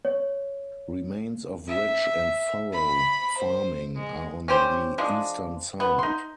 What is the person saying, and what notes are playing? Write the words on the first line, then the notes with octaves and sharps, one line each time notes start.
Remains of ridge and furrow farming are on the eastern side.
C#5
E5
B5
C5
G#3
C#4 G4 C5
F3 G#3 D4
B3
D#4 C6